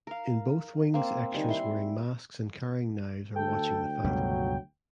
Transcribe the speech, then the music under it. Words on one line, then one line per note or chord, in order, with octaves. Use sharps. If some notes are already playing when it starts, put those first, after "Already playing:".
In both wings extras wearing masks and carrying knives are watching the fight.
A#4 F5
A#3 C4
D#3 G3 G#5
E4 C6
D2 A4 G5
C#2 G2 B2 F#3